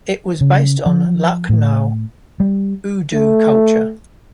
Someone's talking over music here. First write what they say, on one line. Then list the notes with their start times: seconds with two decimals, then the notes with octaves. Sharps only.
It was based on Lucknow Urdu culture.
0.41 C#3
0.86 F3
1.49 A2
2.40 G3
3.14 A3